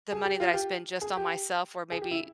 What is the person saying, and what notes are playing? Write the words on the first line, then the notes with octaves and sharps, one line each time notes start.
the money that I spend just on myself where maybe
G#4
G4
F4
G4
G#4
G4
G#4
G4
E4